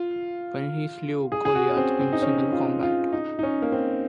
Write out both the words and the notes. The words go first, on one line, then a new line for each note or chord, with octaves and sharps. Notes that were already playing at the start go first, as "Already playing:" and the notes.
When he slew Goliath in single combat.
Already playing: F4
G#4
G#4
F#4
C#4
C4
C4
D#4
C#4
F4
F4
D#4
D#4
C#4
A#3
C4